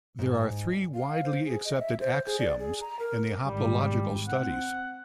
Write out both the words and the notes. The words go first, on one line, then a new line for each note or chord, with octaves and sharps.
There are three widely accepted axioms in hoplological studies.
G#2
F5
C5
G#4
D#5
E5
C5
G#4
D5
G#4
A#5
A#4
G#1 G3
C4 F#5